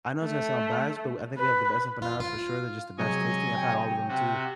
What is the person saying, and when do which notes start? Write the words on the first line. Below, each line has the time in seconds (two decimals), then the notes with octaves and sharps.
I know it's gonna sound biased but w I think we have the best empanadas, for sure, they're just the best tasting, I've had all of them, too,
0.23 A3
1.38 B4
2.02 F4
2.20 F4
2.98 C3 F#3 G#3 C#5 D#5 G#5
3.56 G5
4.08 C3 F#4